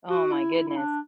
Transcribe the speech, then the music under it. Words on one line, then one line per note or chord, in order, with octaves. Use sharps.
Oh my goodness.
F#4
E4
E4
E4
D4